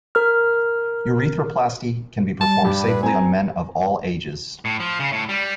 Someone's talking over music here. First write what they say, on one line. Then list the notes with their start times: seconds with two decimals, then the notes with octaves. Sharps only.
Urethroplasty can be performed safely on men of all ages.
0.15 A#4 F6
2.41 G3 A5
2.65 G2 G4
2.88 B4
3.03 C4 G#5 A#5
4.65 A2
4.80 F3
5.00 C#3
5.12 A2
5.29 G3